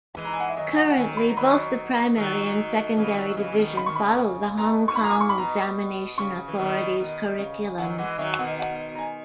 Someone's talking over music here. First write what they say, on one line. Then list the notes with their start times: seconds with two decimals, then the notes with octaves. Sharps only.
Currently, both the Primary and Secondary Division follow the Hong Kong Examination Authority's curriculum.
0.17 E3 G#3
0.24 A#5
0.33 G#5
0.40 F#5
0.49 E5
0.57 D#3 F#3 D#5
0.72 G#5
0.77 F#5
0.88 G#3 F#5
0.96 D#3 F#3 G#5
1.17 B5
1.27 A#5
1.36 D#3 F#3 B5
2.17 D#3 F#3
2.97 C#3 E3
3.17 D#3 F#3
3.31 D#3
3.37 C#3 E3
3.52 C#3
3.57 B2 D#3
3.77 C#3 B5
3.86 D#3 C#6
3.95 C#3 B5
4.58 B2 A#5
4.88 C#6
4.92 B2
4.96 A#2 B5
5.04 A#5
5.10 G#5
5.21 C#6
5.29 B5
5.38 B2 A#5
6.17 C#3 C#6
6.48 E3
6.58 B2 D#3
6.98 B2 D#3
7.38 C#3
7.78 D#3 F#3 F#5
7.98 E3 G#3 F#5
8.18 D#3 F#3 E5
8.38 B2 D#3 F#5
8.59 F#5
8.95 A#5
8.99 G#5